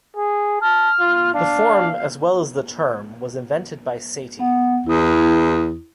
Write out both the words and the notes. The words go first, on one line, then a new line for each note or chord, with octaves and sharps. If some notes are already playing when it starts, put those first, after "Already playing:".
The form as well as the term was invented by Satie.
G#4
A5 F6
F4
D4 F5
B3 F#5
E2 E4 D#6